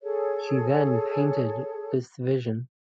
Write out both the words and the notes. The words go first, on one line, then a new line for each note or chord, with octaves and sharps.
She then painted this vision.
G#4 A4 C#5